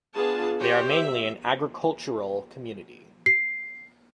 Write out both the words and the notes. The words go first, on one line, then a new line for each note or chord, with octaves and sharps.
They are mainly an agricultural community.
B3 D4 F4 G#4 A5
G4 C5 C#5
E5
C7